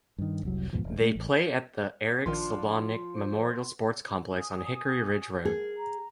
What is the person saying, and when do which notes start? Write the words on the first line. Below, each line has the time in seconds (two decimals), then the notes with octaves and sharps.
They play at the Eric Slebodnik Memorial Sports Complex on Hickory Ridge Road.
0.18 G2 D#3
0.43 F1 C2 F#3
0.73 D#2 G#2 B2 F3
0.84 E1
1.01 A3
1.16 A1
2.26 A#1 D#3 F3 D4 F4 C6
3.14 C5
4.33 G#5 D#6
5.45 G#4 A#4
5.76 A#5